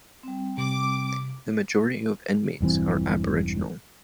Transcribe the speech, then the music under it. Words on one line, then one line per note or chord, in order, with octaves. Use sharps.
The majority of inmates are Aboriginal.
G3 C4
C3 D6
E1 G2 E3 C4